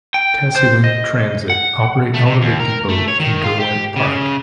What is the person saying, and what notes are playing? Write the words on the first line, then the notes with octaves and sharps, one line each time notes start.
Tassielink Transit operate out of a depot in Derwent Park.
G5
C5
D#5
F#5
A3
C3
D#2
A#4
A3
C#5
D#3
F4
G4
C#3